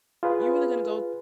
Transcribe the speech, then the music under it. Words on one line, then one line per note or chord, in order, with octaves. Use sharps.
you really gonna go
F4 G#4 B4